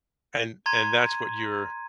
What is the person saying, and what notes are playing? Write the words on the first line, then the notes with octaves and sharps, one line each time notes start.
and and that's what your
A#5 C6 G#6 D#7